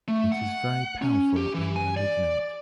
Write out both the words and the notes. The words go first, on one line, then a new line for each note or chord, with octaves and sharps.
It is very powerful and malignant.
A3
F#5
C#4
G4
E3
G#5
D5